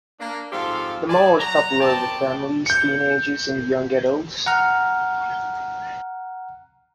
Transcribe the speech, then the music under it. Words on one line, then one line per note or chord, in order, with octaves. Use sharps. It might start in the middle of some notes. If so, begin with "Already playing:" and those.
The mall is popular with families, teenagers and young adults.
A#3 D4
G#2 F3 C4 G4 A4 F5
G4 G#4 D5 G#5 A5
F#3 A#5
B2 C4 D5 G5 A5
G6 C#7
F#5 A#5 F6